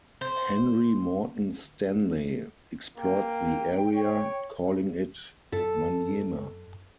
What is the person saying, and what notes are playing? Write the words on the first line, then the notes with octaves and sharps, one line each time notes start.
Henry Morton Stanley explored the area, calling it Manyema.
C5
A#3 G5
C#5
F#2 A4